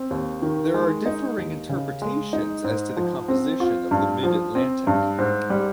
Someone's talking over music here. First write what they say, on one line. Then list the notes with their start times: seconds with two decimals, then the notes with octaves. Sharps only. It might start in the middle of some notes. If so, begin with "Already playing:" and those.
There are differing interpretations as to the composition of the Mid-Atlantic.
Already playing: C4
0.11 D#2
0.42 D#3
0.74 G#3
1.06 D#4
1.38 D#2
1.69 C#3
2.02 G#3
2.33 D#4
2.64 G#2
2.97 F3
3.28 C4
3.60 F4
3.91 G2
4.23 F3
4.55 C4
4.87 G2
5.18 G#2
5.50 G3